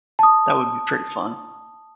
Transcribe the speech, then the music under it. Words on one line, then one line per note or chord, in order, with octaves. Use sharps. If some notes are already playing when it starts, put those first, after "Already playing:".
That would be pretty fun.
A5 D#6